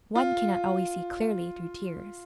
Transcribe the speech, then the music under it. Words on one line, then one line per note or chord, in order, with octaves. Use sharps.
One cannot always see clearly--through tears.
F4